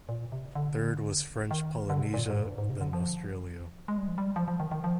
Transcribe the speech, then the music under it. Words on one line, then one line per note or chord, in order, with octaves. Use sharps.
Third was French Polynesia then Australia.
A#2
C3
D3
D#3
D3
C3
A#2
G#2
G2
G#2
C3
D3
F3
G#3
G3
F3
G3
F3
F3
D#3
D#3
F3